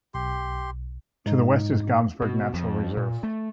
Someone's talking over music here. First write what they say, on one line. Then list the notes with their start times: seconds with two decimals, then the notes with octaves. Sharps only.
To the west is Gamsberg Nature Reserve.
0.14 B1 G4 C6
1.26 G#2 D#4
2.22 B2
2.54 F2
2.97 A#2
3.23 A3